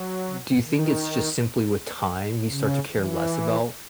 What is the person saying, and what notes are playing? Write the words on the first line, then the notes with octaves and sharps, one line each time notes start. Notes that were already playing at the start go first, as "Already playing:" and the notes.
do you think it's just simply with time you start to care less about
Already playing: F#3
D#3
C#3
E3